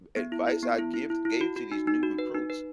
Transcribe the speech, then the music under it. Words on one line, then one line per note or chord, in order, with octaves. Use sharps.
advice I give gave to these new recruits
B3
E4
E4
B3
E4
E4
E4
E4
F#4
F#4
D#4
D#4
F#4
B4
D#4
B4